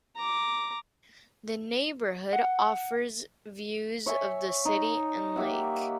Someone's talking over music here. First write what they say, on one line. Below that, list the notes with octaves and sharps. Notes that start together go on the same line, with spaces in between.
The neighborhood offers views of the city and lake.
A#5 D6
F#5
C#5 E5 G#5 C#6
D#4
A#3 G4 E5 F#5